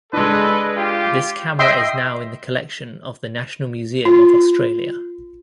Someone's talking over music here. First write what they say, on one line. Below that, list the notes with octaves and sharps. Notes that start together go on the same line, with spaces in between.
This camera is now in the collection of the National Museum of Australia.
G#3 D4 A4 B4 D#5
F4 G4
D#5 E5 G5 C6
F4